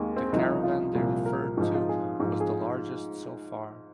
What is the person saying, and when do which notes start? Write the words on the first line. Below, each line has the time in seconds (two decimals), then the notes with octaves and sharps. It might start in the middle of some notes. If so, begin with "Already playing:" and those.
The caravan they referred to was the largest so far.
Already playing: D#2 D#3 G#3 A#3
0.16 C4
0.33 C2 C3 F3 D#4
0.63 F4
0.95 C2 A#2 F3
1.26 A#4
1.57 G#2 F3 D#4
1.75 F4
1.89 G#4
2.20 G#2 F3
2.40 G#4